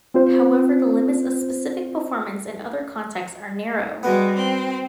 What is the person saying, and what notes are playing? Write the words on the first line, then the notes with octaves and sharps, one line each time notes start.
However, the limits of "specific performance" in other contexts are narrow.
C4 F4 C5
G3 G#3 B3 F#4
C4